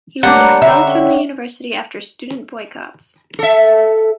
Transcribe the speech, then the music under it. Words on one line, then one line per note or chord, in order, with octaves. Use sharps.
He was expelled from the university after student boycotts.
G3 A3 A#3 D4 C#5 F#5 A#5
C#5 A#5 B5
D3 E5
C#4 C#5 G5
A4 E5